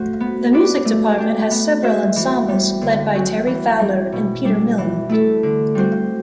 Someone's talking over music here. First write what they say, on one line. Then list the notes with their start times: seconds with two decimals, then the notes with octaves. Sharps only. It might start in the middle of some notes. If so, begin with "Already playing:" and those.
The music department has several ensembles led by Teri Fowler, and Peter Milne.
Already playing: A3 F#4 C5
0.20 B3
0.53 D4 F#4 B4 D5
0.85 A3
1.18 D4 G4
1.51 B3
1.83 F#4 C5 E5
2.16 E3
2.49 G3 B3
2.81 D3
3.14 F#3 C4 F#4
3.47 E3
3.79 G3 C4
4.12 B2
4.45 G3 D4
4.78 E3
5.09 A3 E4 A4
5.43 D3
5.75 G3 C4 F#4 C5